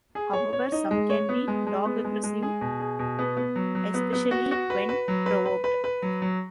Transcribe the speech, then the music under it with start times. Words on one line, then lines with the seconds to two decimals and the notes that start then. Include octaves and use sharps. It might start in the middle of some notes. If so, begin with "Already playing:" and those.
However, some can be dog-aggressive, especially when provoked.
0.15 G#4
0.33 C#5
0.53 C#5
0.72 D#4
0.91 G#3
1.10 C#5
1.29 B3
1.48 G#3
1.67 G#3
1.85 B3
2.04 G#3
2.23 G#3
2.43 G#4
2.61 B2
2.80 G#4
2.99 B2
3.19 B3
3.37 B3
3.55 F#3
3.75 F#3
3.94 B3
4.13 B3
4.31 F#4
4.51 F#4
4.70 B4
4.89 B4
5.08 F#3
5.26 B4
5.45 B4
5.64 B4
5.84 B4
6.02 F#3
6.22 F#3